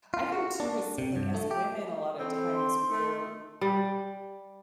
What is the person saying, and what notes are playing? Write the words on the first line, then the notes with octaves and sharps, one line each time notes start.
I think too as like, as women, a lot of times we're
F4
F#4
D4
C3
G2
A3
G4
E3 C4 A4
C6
A3
G3